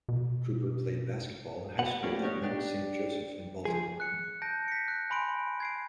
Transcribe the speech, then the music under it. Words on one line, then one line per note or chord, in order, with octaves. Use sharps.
Cooper played basketball in high school at Mount Saint Joseph in Baltimore.
B2
B3 F#5
G3 A3 A#3 C#4 G4
B3 D#4 G4 C#5
D4 G4
F3 G#4
F#6 C#7
A5 G6 A#6 D7
B6 C#7
F#6
G#5 B5 C6 D7
G#6 C7 D7